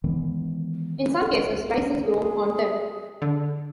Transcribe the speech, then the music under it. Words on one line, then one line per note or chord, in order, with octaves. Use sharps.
In some cases, rice is grown on them.
D#3 E3 G#3 B3
G#4
D3